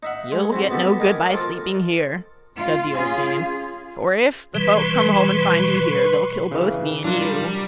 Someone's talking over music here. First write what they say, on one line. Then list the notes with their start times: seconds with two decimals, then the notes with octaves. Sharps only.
'You'll get no good by sleeping here', said the old dame; 'for if the folk come home and find you here, they'll kill both me and you.'
0.03 D#4 E5 F#5
0.32 G#3
0.52 C4 E4 F#4
0.71 B3 F#4 G4 A4
1.00 D#4 A#4 G#5 D6
1.33 F3 F4 A4 A#4
2.56 F4
2.94 C#4 F4 G#4
4.55 B2 E3 G3 B4 C6 C#6
6.51 C#3 E3
7.04 F#3 D4 F4 A#4
7.21 G3
7.44 A#5